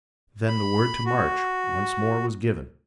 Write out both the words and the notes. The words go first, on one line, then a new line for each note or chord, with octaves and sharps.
Then the word to march once more was given.
B5
F#4